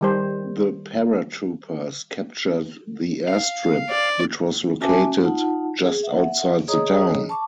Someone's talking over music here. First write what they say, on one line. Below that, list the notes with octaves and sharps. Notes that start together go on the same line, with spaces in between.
The paratroopers captured the airstrip, which was located just outside the town.
D#3 G3 C5
F5
D5
C#4 F#4 E5 G#5 A5 D6
D#4 F4 F#5 A5
G#4
E5 F#5
G#4 C#5 D#5 A#5 D#6
A5 C#6 D6